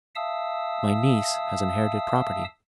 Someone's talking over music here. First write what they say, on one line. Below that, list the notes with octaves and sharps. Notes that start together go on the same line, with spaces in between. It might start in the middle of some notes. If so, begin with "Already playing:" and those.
"My niece has inherited property."
E5 F5 A5 D#6 E6